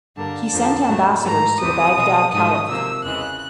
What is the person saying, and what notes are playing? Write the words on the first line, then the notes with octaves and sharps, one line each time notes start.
He sent ambassadors to the Baghdad caliph.
G2 D3 G3 A#3 A5
F2 D3 F3 A#3
A2 F#3 A3
G#2 E3 A3 A#5
E2 C3 E3 D#6
B2 G#3
G#2 D#3 F#3 A3 D#6
C3 F3 A#3 E6
E2 C#3 E3 G#3 F#6